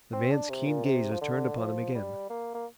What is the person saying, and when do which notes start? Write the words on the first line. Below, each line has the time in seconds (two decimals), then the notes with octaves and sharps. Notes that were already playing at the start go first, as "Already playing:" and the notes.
The man's keen gaze was turned upon him again.
0.13 C4
0.31 D4
0.50 C3
0.67 A#2
0.85 C3
1.12 F3
1.21 D3
1.57 F3
1.95 G3
2.30 A#3
2.54 A#3